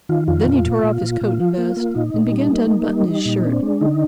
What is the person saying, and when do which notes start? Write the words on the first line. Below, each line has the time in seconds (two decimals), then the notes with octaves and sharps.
Then he tore off his coat and vest, and began to unbutton his shirt.
0.09 D#3 F4
0.28 F2 F4
0.46 A#2
0.65 A#2
0.84 A#2
1.02 A#2
1.21 A#2
1.39 F3
1.58 A#3
1.77 A#3
1.95 A#2 D#4
2.14 A#2
2.32 G3
2.51 A#3
2.70 A#3
2.88 G3
3.07 G3
3.26 A#2
3.44 C4 D4
3.63 G#3
3.81 D3 D#4